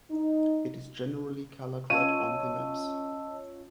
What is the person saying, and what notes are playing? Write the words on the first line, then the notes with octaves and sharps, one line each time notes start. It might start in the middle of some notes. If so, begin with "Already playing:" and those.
It is generally coloured red on the maps.
D#4
C#4 F4 C#5 D#5 A5 E6 D#7